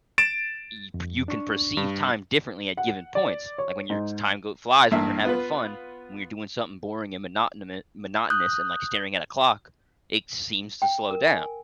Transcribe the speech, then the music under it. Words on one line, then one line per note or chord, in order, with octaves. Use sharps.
y you can perceive time differently at given points. Like when you're time go flies when you're having fun, when you're doing something boring and monotonous monotonous and, like, staring at a clock, it seems to slow down.
A6 D7 E7
F2
D4 C#6
G2
F#5
D5
C#5
G#2
A1 G2 A#3 E5
B3 F4 B4
D#6 F#6 G6
G5
A#4
G#5